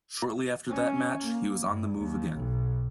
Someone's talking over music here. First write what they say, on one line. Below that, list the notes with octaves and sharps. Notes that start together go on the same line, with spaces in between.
Shortly after that match, he was on the move again.
C#4
A#3
G2
D#2
B1